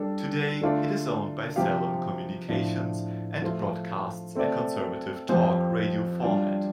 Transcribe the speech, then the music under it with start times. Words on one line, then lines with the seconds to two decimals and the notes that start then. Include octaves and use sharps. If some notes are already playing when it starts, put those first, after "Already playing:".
Today, it is owned by Salem Communications and broadcasts a conservative talk radio format.
Already playing: G3 D4 A4
0.61 D3 A3 D4 F4 D5
1.56 C3 F3 C4 G4 F5
2.49 A2 F3 D4
3.42 F3 A3 F4
4.35 A3 C4 A4 D5
5.29 F2 F3 C4 G4 C5
6.22 G3 D4 F4 D5